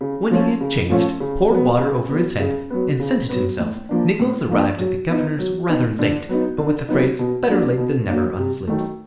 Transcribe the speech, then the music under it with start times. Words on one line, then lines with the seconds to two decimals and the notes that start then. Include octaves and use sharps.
When he had changed, poured water over his head, and scented himself, Nicholas arrived at the governor's rather late, but with the phrase "better late than never" on his lips.
0.01 C#3
0.31 F3 A3 C#4 F4
0.61 C#3
0.90 F3 A3 C#4 F4
1.20 C#3
1.50 F#3 B3
1.80 C#3
2.10 F#3 B3
2.40 C#3
2.70 F#3 B3
3.00 C#3
3.29 F#3 B3
3.60 A2
3.89 F3 A#3 D4
4.20 A2
4.49 F3 A#3 D4
4.79 F#3
5.09 B3 D#4
5.39 F#3
5.68 B3 D#4
5.99 D3
6.29 F#3 B3 D#4
6.58 D3
6.89 F#3 B3 D#4
7.19 B2
7.48 F#3 A#3 D4
7.78 B2
8.08 F#3 A#3 D4
8.38 C3
8.68 D#3 F#3 A3